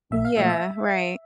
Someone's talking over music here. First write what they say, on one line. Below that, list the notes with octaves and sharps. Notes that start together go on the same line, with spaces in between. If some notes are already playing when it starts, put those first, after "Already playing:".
Yeah. Right.
A#1 E5
F5
A#2 F3 A3 E5
E5